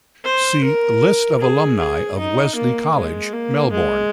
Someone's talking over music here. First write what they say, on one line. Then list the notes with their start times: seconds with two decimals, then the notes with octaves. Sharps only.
See "List of alumni of Wesley College, Melbourne".
0.24 C5
0.64 A#4
1.41 G#4
1.79 G#4
2.18 D#4
2.56 A#3
2.95 G#3
3.33 A#3
3.72 G#3